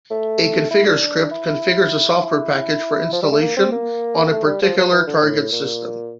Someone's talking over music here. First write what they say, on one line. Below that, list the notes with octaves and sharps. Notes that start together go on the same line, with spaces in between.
A configure script configures a software package for installation on a particular target system.
A3
E4
D4
E4
E4
E4
F3
G3
A3
A#3
C4
A#3
A3
G3
F3
F3
E3
D3
A2
A#2